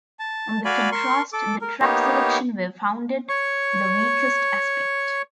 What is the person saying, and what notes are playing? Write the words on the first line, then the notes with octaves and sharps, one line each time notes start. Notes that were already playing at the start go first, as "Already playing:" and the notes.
On the contrast the track selection were founded the weakest aspect.
A5
F#4 D5 F5 G#5 B5
A#4 C6 C#6
A4 D6
A#4
A#3 B3 D#4 G4 C#5
C#5 C#6